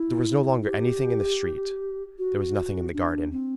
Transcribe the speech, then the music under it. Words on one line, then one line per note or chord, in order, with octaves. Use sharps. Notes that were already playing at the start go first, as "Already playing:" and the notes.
There was no longer anything in the street; there was nothing in the garden.
Already playing: E4
G4
F#4
D4
C4